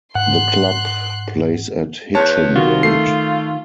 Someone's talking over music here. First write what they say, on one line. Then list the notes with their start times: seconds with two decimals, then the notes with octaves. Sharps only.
The club plays at Hitchin Road.
0.15 G#2 F#5 C6 F#6
2.15 E2 C#5 A5
2.56 D#3 F4 F#4
2.83 A3 C7